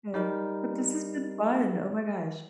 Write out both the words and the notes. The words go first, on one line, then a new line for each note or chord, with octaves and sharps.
Eh, but this has been fun, oh my gosh.
G3 D#4 A#4